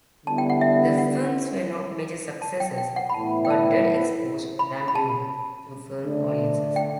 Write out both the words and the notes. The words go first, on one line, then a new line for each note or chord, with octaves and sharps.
The films were not major successes but did expose Rambeau to film audiences.
D3 G3 B3 E4 A5
G5
F#5
E5
F#5
A5
G5
G5
F#5
B5
A2 E3 B3 E4 A5
G5
A5
B5
B5
A5
D3 A3 D4
G5